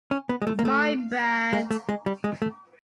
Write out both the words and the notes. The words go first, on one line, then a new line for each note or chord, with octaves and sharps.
My bad!
C#4
B3
G#3
A3
A#3
A3
G#3
A3
G#3
G3
G#3
A3